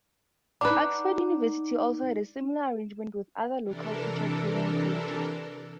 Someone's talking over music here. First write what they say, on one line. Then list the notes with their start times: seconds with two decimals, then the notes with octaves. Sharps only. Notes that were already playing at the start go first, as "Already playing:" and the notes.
Oxford University also had a similar arrangement with other local teacher training colleges.
0.61 D4 D#4 B4 F#5 A#5 D6
3.63 C3 E3 D4 A4 A#4